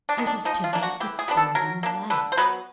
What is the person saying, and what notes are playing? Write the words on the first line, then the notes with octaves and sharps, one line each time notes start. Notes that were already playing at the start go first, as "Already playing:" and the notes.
It is to make its burden light.
D4
D#3 G#3
D4
F3 D#4
F4
A#3 D4
F#4
E3 G4
G#4
G3 B3 D4
A4
F#3 A#4
A#3 D4
D3 B4
C5
F#3 B3 B4